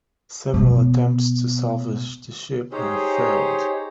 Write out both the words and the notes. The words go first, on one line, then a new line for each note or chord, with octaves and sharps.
Several attempts to salvage the ship have failed.
B2 B3
D#4 G4 G#4 C5 C#5